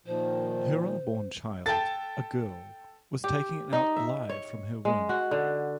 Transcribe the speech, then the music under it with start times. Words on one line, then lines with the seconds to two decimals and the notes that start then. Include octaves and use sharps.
Her unborn child, a girl, was taken out alive from her womb.
0.06 A#2 D#3 F3 C5
1.66 A4 G5 A5 A6
3.24 G4
3.73 D#4
3.96 E5
4.29 C#5
4.85 G#3
5.09 F#4
5.31 D3